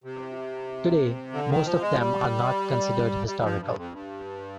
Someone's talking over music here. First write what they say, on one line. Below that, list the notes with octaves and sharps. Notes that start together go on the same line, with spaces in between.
Today, most of them are not considered historical.
C3
D3
D#3
F3
G#3
F3
G3
G3
F3
F2
G2
F2
G2